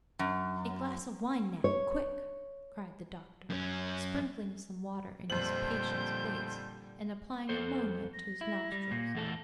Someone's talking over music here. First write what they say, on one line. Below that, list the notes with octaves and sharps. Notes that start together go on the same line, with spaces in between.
"A glass of wine, Nap, quick!" cried the doctor, sprinkling some water in his patient's face, and applying ammonia to his nostrils.
F#2
C#5
F#2 C#4
F2 A#2 D3 G3 B3 C5 G6 F#7
F2 A4 C5
A#6
E4
G3
A#2
E2 A3 A4